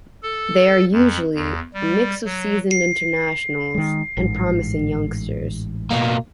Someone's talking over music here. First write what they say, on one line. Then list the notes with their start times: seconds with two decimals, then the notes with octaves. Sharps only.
They are usually, a mix of seasoned internationals, and promising youngsters.
0.23 A4
0.92 F2
1.34 E2
1.74 G3
2.25 F#3
3.75 D#3 G#3
4.17 A1 G#2
5.91 B2 A#3